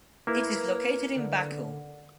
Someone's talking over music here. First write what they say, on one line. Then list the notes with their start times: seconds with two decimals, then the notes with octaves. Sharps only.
It is located in Baku.
0.27 A#3 E4 B4
1.15 D3